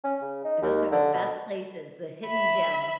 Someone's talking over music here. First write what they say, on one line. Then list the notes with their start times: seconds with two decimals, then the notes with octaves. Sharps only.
Those are the best places, the hidden gems.
0.04 C#4
0.22 C#3
0.44 D#4
0.62 D#2
0.92 D3
1.14 B2
2.27 E5 B5